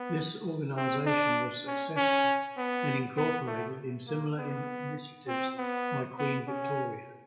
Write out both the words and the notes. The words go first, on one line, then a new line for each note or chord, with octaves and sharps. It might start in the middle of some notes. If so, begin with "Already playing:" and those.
This organisation was successful and incorporated in similar initiatives by Queen Victoria.
Already playing: B3
C4
D4
C#4
C#4
B3
B3
A3
A#3
B3
C4
B3
B3
C#4